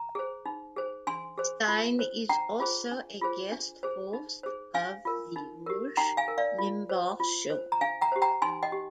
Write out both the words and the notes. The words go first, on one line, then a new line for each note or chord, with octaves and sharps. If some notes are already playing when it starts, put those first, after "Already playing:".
Steyn is also a guest host of "The Rush Limbaugh Show".
Already playing: A#5
G#4 C5
D#4
G#4 C5
D4 G#5 C6
G#4 C5
F4
C5
D4 G5 A#5
F4 G#4 C5
D4
F4 G#4 C5
D4
G#4 C5
D#4
G#4 C5
D4 F5 G#5
F4 A#4
D#4
G4 A#4
D#4 G5 A#5
F5 G#5
A#4
D5 F5
F4
C5
F4
C5
A#5
D4 F5 G#5
G5 A#5
G4 C5
G5 A#5
D#4 G#5 C6
D#5 G5
G4